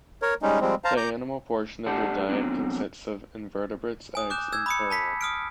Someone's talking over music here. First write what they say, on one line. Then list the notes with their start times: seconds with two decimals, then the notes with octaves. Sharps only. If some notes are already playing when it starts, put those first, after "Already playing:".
The animal portion of their diet consists of invertebrates, eggs, and carrion.
0.22 A#4 C#5
0.42 G3 G#3 C#4 D#4
0.61 F3 G3 G#3 C4
0.84 C5 F5 A5 A#5
0.97 A#5 D6 G6
1.86 A3 D4 G4 D5 F#5 A5
2.29 F#3 B3 C4 D4
4.15 G#5 D#6
4.30 D6 F#6 G6 E7
4.52 E6 G6 G#6
4.66 B5 D#6 C#7
4.90 A5 B5 B6 C#7
5.21 D#6 F6 D7